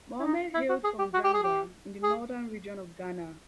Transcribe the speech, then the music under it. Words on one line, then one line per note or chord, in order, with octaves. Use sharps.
Mohammed hailed from Janga in the Northern Region of Ghana.
E4
D#4
E4
F#4
G#4
G4
F#4
G4
G#4
G4
G#4